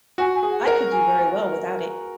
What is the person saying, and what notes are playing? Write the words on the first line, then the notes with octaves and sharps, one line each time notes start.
I could do very well without it.
F#4 G#5
G#5
G#4
F#5
A#4 F#5
G#5